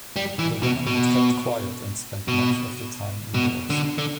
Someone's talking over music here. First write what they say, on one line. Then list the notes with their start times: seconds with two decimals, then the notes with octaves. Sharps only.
The women had to keep quiet and spend much of the time indoors.
0.16 G3
0.39 E3
0.63 B2
0.87 B2
2.28 B2
3.34 B2
3.70 D3
3.98 D3